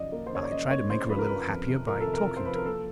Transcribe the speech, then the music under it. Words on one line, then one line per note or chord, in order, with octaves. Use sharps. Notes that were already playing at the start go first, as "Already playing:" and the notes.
I tried to make her a little happier by talking to her.
Already playing: F#2 C#3 F3 D5 D#5
A#3
C5
C#3 C#5
D5
F#2 D#5
A#3 C#5
C#3 C5
F3 B4
A#4
F3 B4
F2
C3
F3 A#4
A4
C3
A#4
F3
C5
F3 B4
A#4
A#3 A4